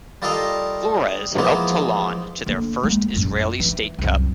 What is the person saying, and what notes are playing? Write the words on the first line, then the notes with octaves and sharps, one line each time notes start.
Flores helped Holon to their first Israeli State Cup.
G3 F4 A4 A#4 D#5 F5
E3 F3 G#3 A#3 B3
D3 A#3
G#3 A#3
A1 F#2
E3
C2 F#2